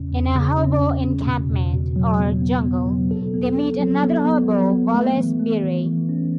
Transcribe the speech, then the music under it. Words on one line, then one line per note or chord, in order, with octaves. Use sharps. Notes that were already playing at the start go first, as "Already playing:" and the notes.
In a hobo encampment, or "jungle," they meet another hobo, Wallace Beery.
Already playing: E2 C#3 C#4
E2
C#3
C#4
E2
C#3
B2
E2
B2
F#3
B3
B3
B3
F#3
A4
B3
A4
F#3
B3
B3
F#3
B3
A3
E3
A3
E3
E3
C#4